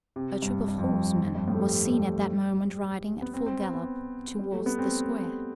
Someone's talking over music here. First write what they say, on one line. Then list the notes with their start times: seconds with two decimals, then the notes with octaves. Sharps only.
A troop of horsemen was seen at that moment riding at full gallop towards the square.
0.16 C3
0.42 G2
0.68 G2
0.78 F2
0.89 G2
1.22 F2
1.35 G2
1.48 A2
1.55 A3
1.61 G3
3.22 B3
3.34 C4
3.46 C4
3.59 B3
3.74 B3
4.39 G3
4.53 A3
4.66 B3
4.79 C4